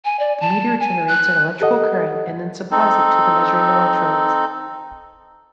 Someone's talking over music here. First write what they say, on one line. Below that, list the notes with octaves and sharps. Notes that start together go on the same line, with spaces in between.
The meter generates an electrical current and then supplies it to the measuring electrodes.
G#5
D5
A5
G#5
F#6
G4 A4 D#5 F#5
C4 D#4 A4